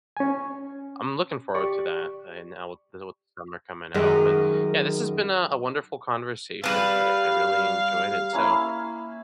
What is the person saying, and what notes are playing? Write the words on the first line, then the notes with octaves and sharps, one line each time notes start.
I'm looking forward to that, and I will deal with the summer coming out, but, yeah, this has been a a wonderful conversation today, I really enjoyed it, so,
C#4 G#5
G4 D5 C#6
F#2 D#3 G#3
G3 B4 F5
A#3 C#4 E4